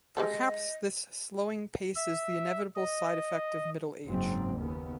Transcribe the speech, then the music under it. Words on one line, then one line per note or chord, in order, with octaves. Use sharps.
Perhaps this slowing pace is the inevitable side effect of middle age.
G#3 G4 A4 D#5
E5
D#5
F#1 G#2 F#3 C4
D#2 C#3 B3